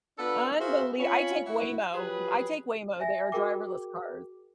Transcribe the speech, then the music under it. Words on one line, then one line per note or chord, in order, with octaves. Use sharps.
Unbeli I take Waymo. I take Waymo. They are driverless cars.
B3 D4 F4 A4 B4
F#4 G#4 A#4 C5 E5 F5
C4 C#4 F4 C#5 G#5 B5
E4 F#4
F3 F#3 G4 G#4 B4
E5 G#5 A#6
F#4 G#4 A#4 G5 D6